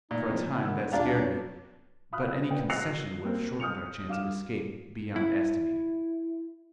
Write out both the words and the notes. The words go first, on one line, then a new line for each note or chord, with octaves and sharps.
For a time that scared me; but any concession would have shortened our chance of escape beyond estimating.
A#2 D#4
F3 C4
C3 A3 D4
G2 D#3 B3 E6
D#1 D4 F4 G4 D5 F5 A#5
F2 B4 C#5
F5 B5 D#6 F6 F#6
B4 D5 G5
E6 F#6 A#6 C7 C#7 F7
A#3 C4
D#6 F6 G6 C#7 F7
G2 F5 D6 F6 E7
E4